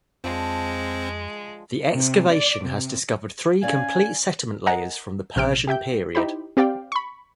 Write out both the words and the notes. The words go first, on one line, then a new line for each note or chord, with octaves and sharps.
The excavation has discovered three complete settlement layers from the Persian period.
F2 F3 G#3 C4 D4
C3
D5
C3
C#4 D5 F5 G#5
A#4 D#5 F#5 G#5 A#5
A#1 C3 F6 G6 D7
G4 E5 G5 G6
D#4 E4 G4 C5 B5
C4 G4 D5 F5 G5
B5 C#6